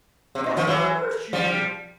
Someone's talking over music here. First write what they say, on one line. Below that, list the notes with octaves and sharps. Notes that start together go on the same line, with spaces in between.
'Yes, of course you did!
C3
B2
D#3 F3
E3 F#3
F3 G3